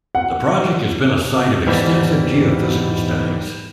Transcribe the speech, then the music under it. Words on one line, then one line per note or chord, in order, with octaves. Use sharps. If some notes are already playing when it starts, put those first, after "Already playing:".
The project has been a site of extensive geophysical studies.
F#5
E2 G#2 E3 G3